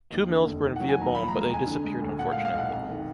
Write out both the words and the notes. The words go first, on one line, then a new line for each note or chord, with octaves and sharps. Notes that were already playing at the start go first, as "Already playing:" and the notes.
Two mills were in Villebon but they disappeared unfortunately.
D#2
D3
F1
D#3
F#3 F#5
G#5
D#2 A#5
F3 B5
A#5
G#3
A#5
F2 G#5
D3
G#3
D2
A#2 F#5
F5
G#3
F5
B1 F#5
F2
D#3